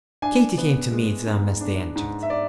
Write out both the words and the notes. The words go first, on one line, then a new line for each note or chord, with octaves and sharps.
Katy came to meet them as they entered.
D4 G#5
B3
G#3
G#2
D4
G#2
E5
D5